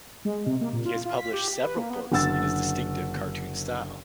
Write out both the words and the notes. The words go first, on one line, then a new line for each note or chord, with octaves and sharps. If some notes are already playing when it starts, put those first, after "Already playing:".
He has published several books in his distinctive cartoon style.
G#3
C3
A#3
A#2
F4
F4
B6
G4
B6
B4
A#3
B3
F#1 D3 F#5 E6 A6